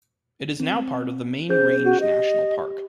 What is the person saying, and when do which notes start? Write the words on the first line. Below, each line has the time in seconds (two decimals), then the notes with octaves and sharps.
It is now part of the Main Range National Park.
0.60 C4
1.49 C#4 G#4 C5 G6
1.85 F#4
2.01 G4 D#5